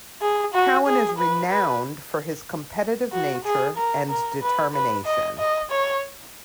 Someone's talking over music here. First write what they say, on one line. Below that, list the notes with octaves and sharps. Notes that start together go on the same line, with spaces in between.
Cowan is renowned for his competitive nature and determination.
G#4
F#4
G#4
B4
B4
F#4
G#4
A#4
A#4
B4
B4
D#5
D#5
C#5